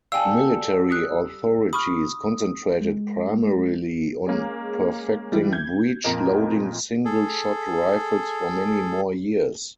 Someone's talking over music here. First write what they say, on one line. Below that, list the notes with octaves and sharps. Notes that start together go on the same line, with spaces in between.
Military authorities concentrated primarily on perfecting breech-loading single shot rifles for many more years.
G3 A4 F5 G5 G#5 E6
D#6 F#6
B5 C#6 D#6 F6
G#3
G#3 A#3 C#4 G#4
E3 G3
G6 G#6
F2 A#2 A#4 D#5
G#4 A4